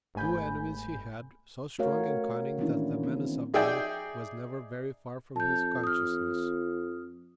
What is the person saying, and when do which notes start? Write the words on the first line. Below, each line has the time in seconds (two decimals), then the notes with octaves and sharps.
Two enemies he had, so strong and cunning that the menace of them was never very far from his consciousness.
0.15 G1 G#2 A3 G#5 B5 G6
1.79 A3 F#4 A#4 C#5 F5
2.59 D#3 E3 A#3 C#4 D4 E4
3.03 A#3 C4
3.54 D#4 G#4 D5 E5 G5 G#5
5.36 F2 A5 G6
5.84 D#6 F6